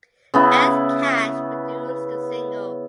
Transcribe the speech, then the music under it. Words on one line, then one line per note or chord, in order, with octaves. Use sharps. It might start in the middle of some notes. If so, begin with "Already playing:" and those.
Ed Cash produced the single.
C#3 B3 E4